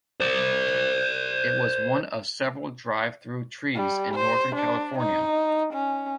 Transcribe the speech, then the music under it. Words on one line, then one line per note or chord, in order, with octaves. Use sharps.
It was one of several drive-through trees in northern California.
C5 D5
G3
C5
D4
D#4
C#4